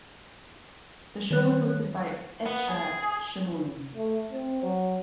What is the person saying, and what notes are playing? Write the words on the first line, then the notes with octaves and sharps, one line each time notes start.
The show was hosted by Itzhak Shimoni.
D#3 C#5 F#6
B3
G#4
A3
C4
F#3